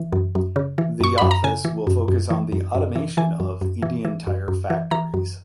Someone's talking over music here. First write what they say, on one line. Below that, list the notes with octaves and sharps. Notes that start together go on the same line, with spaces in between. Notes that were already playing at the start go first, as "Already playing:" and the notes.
The office will focus on the automation of Indian tire factories.
Already playing: E3
F#2
F#2
C#3
E3
F#2 C#6
F#2 B5
A#5
C#3 G#5
E3
F#2
F#2
E3
F#2
F#2
E3
E3 G#5
F#2
F#2
E3
E3
F#2
F#2
E3
E3 A#5
F#2